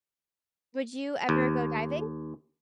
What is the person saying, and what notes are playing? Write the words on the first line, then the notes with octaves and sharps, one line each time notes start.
Would you ever go diving?
D#2